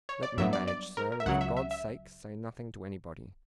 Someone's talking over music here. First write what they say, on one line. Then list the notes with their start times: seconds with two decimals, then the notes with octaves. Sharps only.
Let me manage, sir; and for God's sake, say nothing to anybody.
0.09 C#5
0.23 D5
0.38 G2 F#3 B3 E5
0.53 D5
0.68 D5
0.97 A#4
1.12 A#4
1.20 E5
1.26 C#2 C#3 F#3 F#5
1.41 E5
1.57 E5
1.71 E5